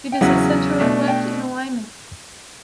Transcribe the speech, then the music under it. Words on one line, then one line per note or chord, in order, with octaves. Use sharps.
It is centre-left in alignment.
G5
E2 C#3 F#3 C#4 E4 F#5
B2 A3 D4
G5